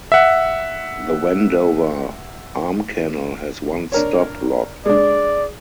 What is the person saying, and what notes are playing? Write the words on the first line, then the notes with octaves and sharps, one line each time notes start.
The Wendover Arm Canal has one stop lock.
E5 F#5
D4 A#4 C#5
G#3 D4 D5